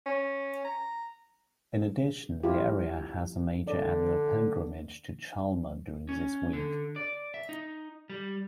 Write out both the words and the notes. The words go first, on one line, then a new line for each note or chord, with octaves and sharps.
In addition, the area has a major annual pilgrimage to Chalma during this week.
C#4
A#5
E4 F4 G4
D3 D5
C#4
D3
D5
E5
D#4
G3